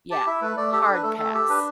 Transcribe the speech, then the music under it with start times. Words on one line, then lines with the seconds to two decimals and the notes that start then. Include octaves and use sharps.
Yeah, hard pass.
0.11 G4 A5
0.26 E4 E5
0.42 A3 B4
0.56 A3 D5
0.72 G4 A4
0.83 A4
0.87 D4
0.93 B4
1.03 A3 A4
1.18 A3 A4
1.34 G4 A4
1.49 D4 B4